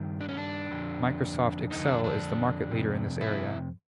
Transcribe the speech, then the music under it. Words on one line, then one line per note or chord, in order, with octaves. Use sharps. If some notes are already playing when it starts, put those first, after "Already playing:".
Microsoft Excel is the market leader in this area.
Already playing: G2 D#3
D4
C#4
D4
F2 D3
F2 D3 D#4
D4
D4
F2 C3
E4